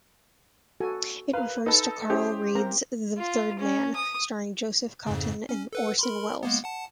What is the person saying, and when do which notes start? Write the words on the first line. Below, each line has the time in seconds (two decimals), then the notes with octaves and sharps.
It refers to Carol Reed's "The Third Man" starring Joseph Cotten and Orson Welles.
0.80 F#4 A4 G#5
1.33 A#4 B4 F5
1.66 D#4 A4 B4
2.10 C#4 E4 G4 G#4 C5
2.55 C4 A#4 A#5
3.17 F4
3.59 C#4
3.96 D#6
5.07 F2 G#2 C#3
5.49 C#4
5.73 A4 B4 F#5
5.99 A#4 B5 C6
6.43 G#3 A#3 B3
6.64 F#5 A5